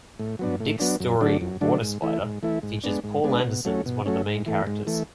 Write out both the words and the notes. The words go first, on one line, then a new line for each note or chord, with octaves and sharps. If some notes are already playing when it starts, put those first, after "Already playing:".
Dick's story "Waterspider" features Poul Anderson as one of the main characters.
A2
F#3 B3 D4
A2
F#3 B3 D4
F#2
D3 F#3 A3 D4
F#2
D3 F#3 A3 D4
G#2
E3 A3 E4
G#2
E3 A3 E4
G#2
G#3 B3 D4
G#2
G#3 B3 D4
B2
F#3 A3 C#4
B2
F#3 A3 C#4
G#2
E3 A3
G#2
E3 A3